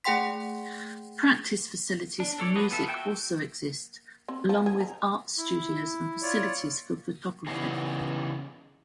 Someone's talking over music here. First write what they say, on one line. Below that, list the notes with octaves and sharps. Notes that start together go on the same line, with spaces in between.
Practice facilities for music also exist, along with art studios and facilities for photography.
A3 G#4 F#5 G5 C6 B6
D4
D4 A4 C#5 D5
F3 G#3 F#4 B4 D#5
B3 F4 A4 E5
F#4 E5 G5 G#5 E6
C4
F3
G#4
A#5
E4
F4 C#5 D5
C#3 E3 G3 B3 D#4 G#4